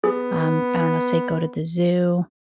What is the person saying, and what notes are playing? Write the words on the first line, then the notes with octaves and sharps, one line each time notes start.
um, I don't know, say go to the zoo
B3 G#4